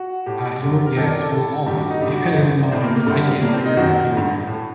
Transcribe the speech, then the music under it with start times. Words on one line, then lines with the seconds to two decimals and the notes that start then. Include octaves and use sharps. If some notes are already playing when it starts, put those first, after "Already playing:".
Uh, your guess will always be better than mine, 'cause I can't figure it out either.
Already playing: F#4
0.26 A2 G4
0.61 F#2 D3 G4
0.86 A#4
0.97 F#2 D#3 A4
1.08 D5
1.20 A4
1.31 A2 A4
1.66 G2 D#3 G4
1.78 F#4
1.90 D#4
2.01 G2 D3 G4
2.14 F#4
2.25 D#4
2.36 G2 D3
2.60 D4
2.72 A2 C4
2.84 A#3
2.96 A#3
3.06 G2 D3 A3
3.19 G3
3.30 G3
3.42 A2 A#3
3.54 C4
3.66 D#4
3.77 F#2 D#3 F#4
4.12 G2 D3
4.47 A2